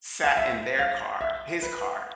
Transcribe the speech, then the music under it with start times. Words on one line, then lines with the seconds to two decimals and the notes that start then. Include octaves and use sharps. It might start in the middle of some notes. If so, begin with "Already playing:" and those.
sat in their car his car,
0.24 F5
0.37 E5
0.79 F5
1.21 E5
1.62 B4